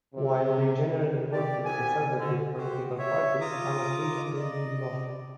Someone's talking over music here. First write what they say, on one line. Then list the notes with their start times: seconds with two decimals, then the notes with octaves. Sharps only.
While they generally worked with conservative political parties, on occasion they did not.
0.14 C3
1.32 G4 D5
1.64 C2 B3 G#5
2.18 G#2 B2 D3
2.57 F#4 G4 C5
2.98 C#5 E5
3.41 F4 A#5 D6 D#6
4.36 D5 D#5